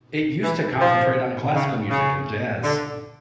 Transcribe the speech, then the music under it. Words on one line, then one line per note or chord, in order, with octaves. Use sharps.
It used to concentrate on classical music and jazz.
E3
F3
C#3
C#3
D3